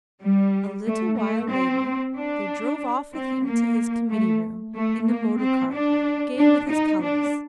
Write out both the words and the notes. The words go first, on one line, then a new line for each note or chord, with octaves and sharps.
A little while later they drove off with him to his committee room in the motor car gay with his colours.
G3
A3
A3
C4
D4
C4
A#3
A3
A3
A#3
C4
D4
D4
D#4
D4